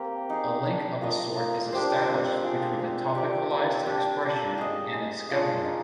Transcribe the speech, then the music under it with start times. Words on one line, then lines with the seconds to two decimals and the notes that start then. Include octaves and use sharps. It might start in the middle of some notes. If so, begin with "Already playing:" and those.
A link of a sort is established between the topicalized expression and its governor.
Already playing: A#3 C4 G4
0.30 D#4 G#4
0.66 D4
1.01 F4 A#4 D#5
1.37 A#3
1.72 D4 G4 C5
2.08 C4
2.43 F4 G#4
2.79 C4
3.15 G4 D5
3.50 A#3
3.86 D4 G4
4.22 D4
4.58 G#4 D#5
4.93 G#3
5.29 D4 F4 G#4
5.64 D#4